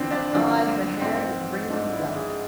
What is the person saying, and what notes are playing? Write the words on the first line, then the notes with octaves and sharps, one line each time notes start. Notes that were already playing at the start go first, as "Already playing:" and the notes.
And I had a hand in bringing it about.
Already playing: E2 D3 F3 C4 D4
D4
E2 D3 F3 D4
G#2 F3 C4
G#2 F3 D4
E4
G#4